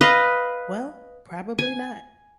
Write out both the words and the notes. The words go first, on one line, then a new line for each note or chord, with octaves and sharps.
Well, probably not.
B4 D#5 F5
G#5